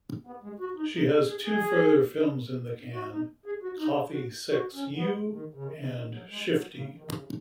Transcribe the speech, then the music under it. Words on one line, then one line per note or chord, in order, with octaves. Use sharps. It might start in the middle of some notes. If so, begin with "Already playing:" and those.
She has two further films in the can, "Coffee Sex You" and "Shifty".
B3
G#3
F#4
D#4
D#4
G#4
G#4
G#4
F#4
D#4
G#4
F#4
D#4
F#4
F#4
C#4
B3
D#3
C#3
D#3
C#3
D#3
F#3
G#3
F#3
C#3
D#3
C#3